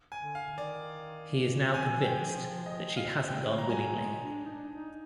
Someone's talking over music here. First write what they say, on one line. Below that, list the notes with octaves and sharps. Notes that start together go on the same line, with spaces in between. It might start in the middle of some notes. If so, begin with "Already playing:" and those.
He is now convinced that she hasn't gone willingly.
G#5
D3
F5
D#3
D5
F3 G#5
G5
D#5
F5
G5
G3 A#5
G#5
A#5
G#3
D4
D#4
D4
D#4